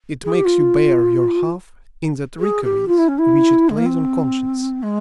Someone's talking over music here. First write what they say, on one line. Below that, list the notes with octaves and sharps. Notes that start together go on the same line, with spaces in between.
It makes you bear your half in the trickeries which it plays on conscience.
G#4
G4
F4
G#4
G4
F4
E4
C#4
E4
G#3
A#3
C4
G#3